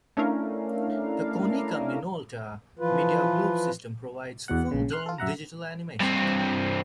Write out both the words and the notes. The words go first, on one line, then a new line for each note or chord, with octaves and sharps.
The Konica Minolta Mediaglobe system provides full-dome digital animation.
A3 C#4 D4 E4 A#4 F5
E3 F3 F4 B4
E2 B2 F#5
A#1 C#3
C6 F6 F#6
F4 A4
F#2 E5 F#5 A#5
G2 C4